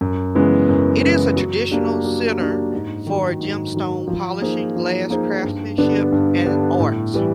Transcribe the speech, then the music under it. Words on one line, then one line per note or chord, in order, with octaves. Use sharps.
It is a traditional center for gemstone polishing, glass craftsmanship and arts.
F#2
C#3 E3 G#3 B3
F#2
C#3 E3 G#3 B3
F#3
A#3 D4 G4
F#3
A#3 D4 G4
G#2
D#3 F#3
G#2
D#3 F#3
F3
A#3 D#4 G#4 C5
F3
A#3 D#4 G#4 C5
G2
D3 G3 B3 D4
G2
D3 G3 B3 D4
A2
E3 G3